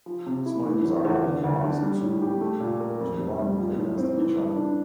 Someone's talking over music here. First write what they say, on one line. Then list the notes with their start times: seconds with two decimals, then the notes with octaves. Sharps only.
It's no use at all for us two to run against each other.
0.06 F3
0.26 C3
0.46 E4
0.65 E3
0.85 E2
1.05 E2
1.24 D3
1.44 D2
1.63 D4
1.82 G3
2.01 A2
2.22 G4
2.41 A3
2.60 A#2
2.80 A#4
3.00 F2
3.20 F1
3.39 G3
3.58 F3
3.78 A2
3.98 C4
4.17 E3
4.37 G2
4.56 D4